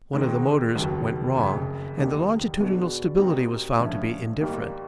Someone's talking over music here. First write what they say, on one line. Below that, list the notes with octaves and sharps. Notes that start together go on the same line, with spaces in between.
One of the motors went wrong, and the longitudinal stability was found to be indifferent.
G#2 D#3 G#3 C4 D#4
F1 D#2 C#3 F#3
F#1 F2 C#3
D#2 D3 G3 A#3 D#4
B2 G#3 B3 D4 F#4
A#2 G3 C4 D#4 F#4
G2 D3 F3 A3 C#4
G#1 G#2 D#3 G3 A#3